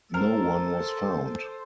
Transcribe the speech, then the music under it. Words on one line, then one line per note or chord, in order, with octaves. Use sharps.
No one was found.
A4 A#4 C5